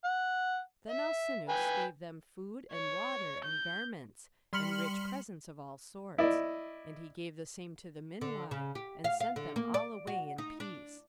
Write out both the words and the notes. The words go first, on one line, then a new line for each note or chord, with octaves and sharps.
Then Alcinous gave them food, and water, and garments, and rich presents of all sorts; and he gave the same to the Minuai, and sent them all away in peace.
F#5
E5
B4 G5 G#5
C#5
G6
G3 C6 F6 B6 C#7 F#7
E4 D5 D#5
D3
C#3
G4
F5
F5
D3
A#3
D5
F#4
D#4
D4